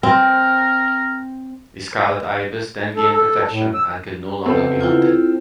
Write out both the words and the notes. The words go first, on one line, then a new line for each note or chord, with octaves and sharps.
The Scarlet Ibis then gained protection and could no longer be hunted.
C4 A#4
A4
A4
A2
E6
C#3 B3 C4 A4
E4 F4